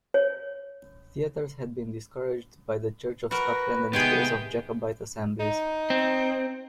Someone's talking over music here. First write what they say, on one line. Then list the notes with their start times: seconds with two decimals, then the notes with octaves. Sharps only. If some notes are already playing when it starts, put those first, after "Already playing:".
Theatres had been discouraged by the Church of Scotland and fears of Jacobite assemblies.
0.14 C#5
3.31 F#4 A#4 B4
3.93 C3 D#3 G#3 B3 G#4 G5
5.40 D#4
5.90 C4